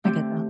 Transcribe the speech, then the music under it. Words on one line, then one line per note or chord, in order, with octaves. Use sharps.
I get that.
D3 A3 C4 G4